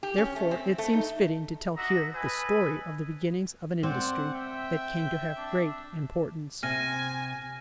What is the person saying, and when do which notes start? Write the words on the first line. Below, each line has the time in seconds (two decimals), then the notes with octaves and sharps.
Therefore it seems fitting to tell here the story of the beginnings of an industry that came to have great importance.
0.03 G4
0.18 C#4
0.36 A3
0.51 C4
0.78 A3
0.93 D#4
1.76 D4 F#4 D#5 E5 A#5
2.14 A4 B4 D#5 G#5
3.83 C4 D5 F#5
4.35 E5 G5
5.37 D4
6.63 C3 G#5 F6 A#6 D#7